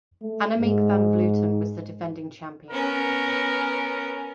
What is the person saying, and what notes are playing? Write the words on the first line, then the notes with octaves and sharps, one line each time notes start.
Annemiek van Vleuten was the defending champion.
A3
G#2
B3 C#4 A#4